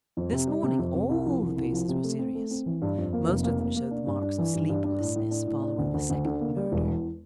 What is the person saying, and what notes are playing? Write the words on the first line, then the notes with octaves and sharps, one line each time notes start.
This morning all the faces were serious; most of them showed the marks of sleeplessness following the second murder.
F2
C3
G3
C3
F2
C3
C2
F3
C2
C2
F3
C3
A3
C4
A3
C4
E3
G2
F2
A#3
F1
A#3
A#3
A#3
D4
G2
D4
E3
G2
G2
D4
A2
A2
D4
A2
D4
D2
D2
D2
D3
A#3
G3
E1
E2